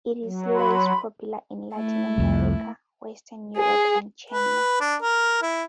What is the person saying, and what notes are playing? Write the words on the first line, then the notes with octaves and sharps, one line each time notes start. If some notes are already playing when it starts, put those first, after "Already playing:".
It is less popular in Latin America, Western Europe, and China.
F#3
B5 C6
A3 E4
C2 F2
G#4
B4
D4
A#4
E4